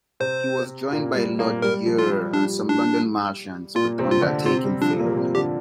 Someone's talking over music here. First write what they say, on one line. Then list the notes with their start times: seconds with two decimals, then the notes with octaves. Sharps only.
He was joined by Lord Eure and some London merchants, but the undertaking failed.
0.20 C3 C4 C5
0.92 A#2 A#3
1.15 G3
1.39 A#2 A#3
1.62 G3 A#4
1.86 F3
1.99 F4
2.10 G3
2.33 G3 D4
2.69 D4
3.75 A#2 A#3 F4
3.99 C3 C4
4.11 F4
4.22 D3 D4
4.46 C3 C4 F4
4.64 G3
4.81 F3 D4
4.99 A#2 A#3
5.17 C3 C4
5.35 D3 D4 G4